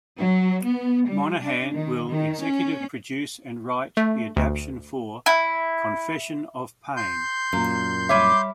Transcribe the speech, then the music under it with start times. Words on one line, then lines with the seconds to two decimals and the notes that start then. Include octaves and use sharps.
Monahan will executive produce and write the adaptation for "Confession of Pain".
0.18 F#3
0.63 B3
1.07 G3
1.41 D4
1.74 D#3
2.08 D#3
2.41 C#4
3.97 A3
4.36 D2
5.26 E4
6.97 C6 G6
7.53 F#2 A#2 A#3
8.09 G3 C#5 E5 D6